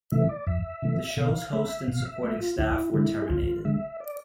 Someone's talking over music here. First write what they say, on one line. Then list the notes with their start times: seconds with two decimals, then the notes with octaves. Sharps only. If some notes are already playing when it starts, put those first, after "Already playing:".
The show's host and supporting staff were terminated.
0.12 C3 E3 A3 E5
0.29 D5
0.46 F2 E5
0.82 C3 E3 A3
1.17 B2 F5
1.52 A3 E5
1.88 B2 F5
2.05 E5
2.23 A3 E5
2.40 F4
2.58 D2 E4
2.94 D3 G#3 E4
3.22 G#4
3.29 D2 F4
3.65 D3 G#3 E5
4.00 D5